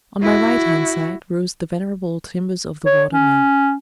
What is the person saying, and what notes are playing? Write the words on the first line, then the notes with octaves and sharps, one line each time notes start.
On my right hand side rose the venerable timbers of the water-mill.
E4 F#4
C#5
C#4